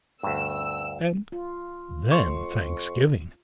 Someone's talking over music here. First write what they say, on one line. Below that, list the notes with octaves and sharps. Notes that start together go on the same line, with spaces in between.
And then Thanksgiving!
D2 G2 E6
F4
F2 C6 C#6